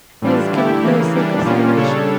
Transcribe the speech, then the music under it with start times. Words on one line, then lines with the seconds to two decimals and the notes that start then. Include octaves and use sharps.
It is given for the sake of salvation.
0.22 A2 E3 G3 D4 F4
0.52 D3 A3 E4 G4
0.83 C#3 E3 A#3
1.15 E3 G3 D4
1.45 A#2 G3 A#3 C#4 F4
1.76 C#3 G3 D4 A4 C#5